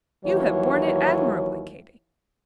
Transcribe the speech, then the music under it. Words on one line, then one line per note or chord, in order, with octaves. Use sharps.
You have borne it admirably, Katy.
D#2 E3 F#3 C#5